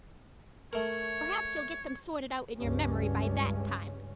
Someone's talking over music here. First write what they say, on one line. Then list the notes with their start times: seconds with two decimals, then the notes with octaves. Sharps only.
Perhaps you'll get them sorted out in your memory by that time.
0.73 A3 A#4 C#5
2.57 C#2 G2 C#4